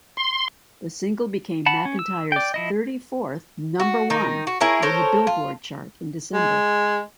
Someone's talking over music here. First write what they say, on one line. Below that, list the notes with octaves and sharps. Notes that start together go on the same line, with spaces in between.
The single became McEntire's thirty-fourth number-one on the "Billboard" chart in December.
C6
F#5 A5 B5
C#4
E6
D5 G5
F3 E4 D#5
F#4
D#3 D#4
F#4
E4 G#4 A#4 C#5
A4 A#4 C5 C#5
F4
G#3